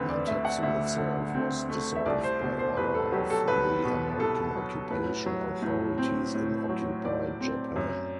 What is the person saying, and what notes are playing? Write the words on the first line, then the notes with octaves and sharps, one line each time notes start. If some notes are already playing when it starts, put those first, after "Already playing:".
"Mantetsu" itself was dissolved by order of the American occupation authorities in occupied Japan.
Already playing: D2 D3 C4 B4
D5
A3 E5
F#5
D2 E5
D3
C4
A3
E5
C2 D5
C5
B2 C5
C5
C2 B4
A4
F#3 G4
A4
C2 B4
B2
C2 A4
F#3
A2 B4
F#3
A2
C4
A2
F#3
A2 D5
C4
F#2